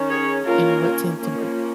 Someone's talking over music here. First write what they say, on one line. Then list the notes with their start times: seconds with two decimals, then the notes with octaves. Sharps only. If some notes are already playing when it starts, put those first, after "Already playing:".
And what tend to work?
Already playing: D#3 C#4
0.10 G#4 C#5
0.45 D#3 A#3 C#4 F4 A#4
1.19 F3 A#3 C#4